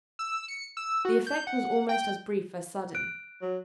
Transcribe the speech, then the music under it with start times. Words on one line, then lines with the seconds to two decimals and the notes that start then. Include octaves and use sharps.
The effect was almost as brief as sudden.
0.19 E6
0.48 C#7
0.77 E6
1.05 F#4
1.27 G6
1.47 F#5
1.89 G5
2.95 F#6 D7
3.42 F#3